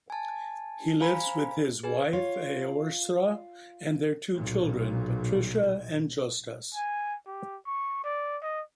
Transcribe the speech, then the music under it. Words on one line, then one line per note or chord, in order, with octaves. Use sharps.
He lives with his wife, Aorsra, and their two children, Patricia and Jostas.
G#5 A5
C5 F5 G#5 A#5 B5
G#4 B4 G#5
F4 C#5
B1 A#2
G#5
G4
C#6
D5
D#5